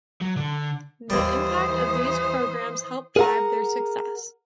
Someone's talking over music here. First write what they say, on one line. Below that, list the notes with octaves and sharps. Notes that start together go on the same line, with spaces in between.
The impact of these programs help drive their success.
F#3
D3
D#2 E3 G3 C5 D#6
G#4 A#4 B4 F5 F#5 A#5